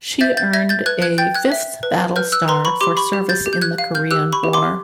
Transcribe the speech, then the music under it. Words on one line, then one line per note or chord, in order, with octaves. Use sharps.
She earned a fifth battle star for service in the Korean War.
E5 G6 A6
G6 A6
E5 G#6 A#6
G6 A6
B4 F#6 G#6
F#6 G#6
G5 G6 A6
F#6 G#6
E5
B4
B4 F6 G6
E6 F#6
B4 A#5 C6
B5 C#6
G4 C6 D6
B5 C#6
G4
G6 A6
G4
G6
F#6 G#6
F5
F6 G6
G4 E6 F#6
B5 C#6
G4
C6 D6